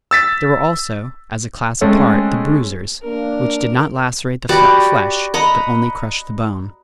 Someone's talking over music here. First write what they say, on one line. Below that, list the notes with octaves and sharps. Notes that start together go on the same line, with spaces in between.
There were also, as a class apart, the bruisers, which did not lacerate the flesh, but only crushed the bone.
E6 A6 B6
G#3 A3 C4 C#4 A4 C#5
A#3 D4 A#4
F#4 G4 B4 D5
D#5 F#5 A#5 B5